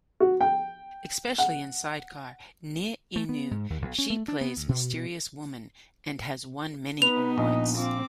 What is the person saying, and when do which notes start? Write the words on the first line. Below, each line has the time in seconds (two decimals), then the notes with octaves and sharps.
Especially in Sidecar ni inu, she plays mysterious woman and has won many awards.
0.20 F#4
0.41 G5
1.38 F#5
3.16 A3
3.29 B3
3.51 G#2
3.70 D#2
3.82 B1
3.98 C#4
4.10 A3
4.28 D4
4.41 B3
4.57 D2
4.69 B2
4.93 B2
7.02 B3 D#4 B4 F7
7.38 A#1 D#5
7.77 C4 F4 D6